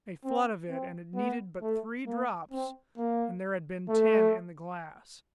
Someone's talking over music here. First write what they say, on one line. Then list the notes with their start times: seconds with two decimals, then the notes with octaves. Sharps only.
A flood of it--and it needed but THREE drops and there had been TEN in the glass!
0.25 C4
0.70 C4
1.15 B3
1.62 A3
2.07 A#3
2.52 C4
2.97 A#3
3.89 A3